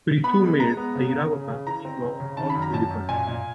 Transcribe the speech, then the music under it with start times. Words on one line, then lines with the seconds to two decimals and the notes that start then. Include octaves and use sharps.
Prithu made Airavata king of all elephants.
0.24 B3 B5
0.42 G#3
0.60 G#3 A#5
0.77 B3
0.95 C#3
1.12 C#3
1.31 C#3
1.48 C#3
1.67 E3 A#5
1.85 C4
2.02 C#3
2.20 C#3
2.37 D#3 A5
2.50 B5
2.55 F#2
2.62 A#5
2.73 F#2 A5
2.90 F#2
3.09 A#2 G#5
3.27 A#2